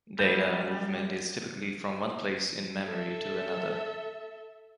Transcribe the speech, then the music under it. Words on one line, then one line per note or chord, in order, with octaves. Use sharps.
Data movement is typically from one place in memory to another.
F#3 G3 A#3 G6 E7
A4 E5